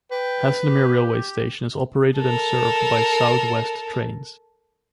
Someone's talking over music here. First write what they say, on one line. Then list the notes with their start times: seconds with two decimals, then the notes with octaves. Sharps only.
Haslemere railway station is operated and served by South West Trains.
0.11 B4 G5
0.65 G4
2.18 A4 A#4